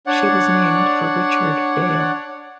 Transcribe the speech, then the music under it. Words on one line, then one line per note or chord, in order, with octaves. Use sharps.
She was named for Richard Dale.
D4 C#5 D5 F#5